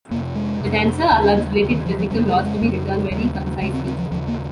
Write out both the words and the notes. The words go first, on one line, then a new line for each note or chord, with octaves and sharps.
The tensor allows related physical laws to be written very concisely.
F2 C3 A#3
G#3
C3
F2
D#2 C#3
C#4
A#3
D#2 C#3
D#3
F3
F3
F2 C#3 G3
G3
G#3
F2 C#3
D#2 C#3 G3
D#2 C#3 G#3
C4
C4
F3
D#2 C#3 F3
A#3